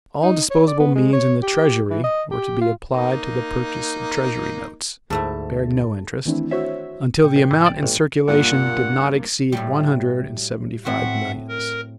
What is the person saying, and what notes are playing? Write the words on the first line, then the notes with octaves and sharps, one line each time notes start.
All disposable means in the Treasury were to be applied to the purchase of Treasury notes, bearing no interest, until the amount in circulation did not exceed one hundred and seventy-five millions.
D#4
C#5
D5
B3
G#3
C#5
G4
E3
D#5
G4
F4
A#3 D#4
D2 G#2 A3 E4 A5
D#3 E3 A3 C4 D4 E4
F#4 C5 C#5 E5
A#2 G5
A#1
G#2 C3 E3
F#1 B1 E3 D5
A1 G#2 G#3 A#3
G2 A#2 A#3 F#5
A2 F#3 G3
A2 C4 F#4 E5 F#5
A#4